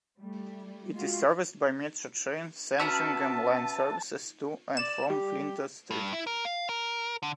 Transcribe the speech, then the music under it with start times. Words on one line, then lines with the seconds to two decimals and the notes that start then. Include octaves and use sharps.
It is serviced by Metro Trains Sandringham line services to and from Flinders Street.
0.20 G3 A3
0.94 G#3 F4 F#4
2.80 C#4 F#4 B4 E5 A5 A#5
4.77 D5 E7
5.10 G3 G4
5.91 G2
6.13 E4
6.27 A#4
6.45 F5
6.69 A#4
7.23 D3